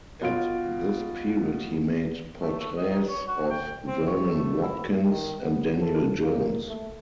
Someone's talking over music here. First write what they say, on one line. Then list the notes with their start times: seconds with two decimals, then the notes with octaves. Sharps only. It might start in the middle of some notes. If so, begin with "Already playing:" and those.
At this period he made portraits of Vernon Watkins and Daniel Jones.
0.22 B2 F4 D7
2.41 A3
2.59 A3
2.77 D#5
2.91 D#4
3.09 C#5
3.28 F#4
3.50 G5
3.88 C4
4.07 C#5
4.31 A3
4.63 E4
5.09 D#3
5.42 B3
5.80 A4
6.22 A#3
6.67 A3